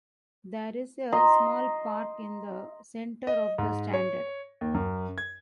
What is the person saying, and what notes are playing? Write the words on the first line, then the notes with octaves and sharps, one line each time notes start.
There is a small park in the centre of the Standard.
D#5 A#5 C6
D#5
G#2
C#5
D#2
F#2
G#6